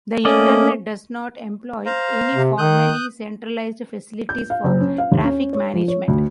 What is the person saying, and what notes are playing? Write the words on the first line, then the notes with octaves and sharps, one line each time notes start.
The Internet does not employ any formally centralized facilities for traffic management.
A3 A#3 C#4 D5 D#5
C5 F5 A#5
C3
D#3 D#6 F#6 G6
G6
F5
F#1
C#4
F5
D#2
C#4
C#5
F3
C#5
D2